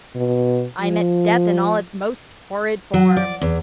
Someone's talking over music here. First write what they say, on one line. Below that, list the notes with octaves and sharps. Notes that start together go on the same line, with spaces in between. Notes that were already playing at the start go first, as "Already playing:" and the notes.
I met death in all its most horrid forms.
B2
F3
F#3
D5
E2